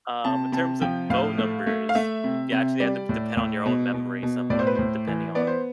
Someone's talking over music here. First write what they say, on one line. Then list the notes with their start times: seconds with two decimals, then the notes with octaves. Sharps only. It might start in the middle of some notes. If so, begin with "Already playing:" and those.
Um, in terms of phone numbers, you actually had to d depend on your own memory somewhat, depending on
0.24 C3 A5
0.52 C3 A5
0.81 F3 G5
1.10 A2 F5
1.38 A3
1.66 A3
1.89 F5
1.95 A3 E5
2.24 C3
2.52 C3
2.80 G3 D5
3.09 A2
3.37 A2
3.66 B2
3.94 B2
4.23 B2
4.50 A2 D5
4.59 C5
4.67 B4
4.75 A2 C5
5.08 E3
5.35 B3 D5
5.47 C5